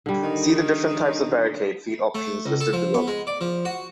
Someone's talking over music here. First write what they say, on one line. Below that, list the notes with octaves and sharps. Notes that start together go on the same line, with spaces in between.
See the different types of barricade feet options listed below.
D3 G3
D#3 D#4
A3
C#2
A4
F3
B3
G#3
D5
F3
F#4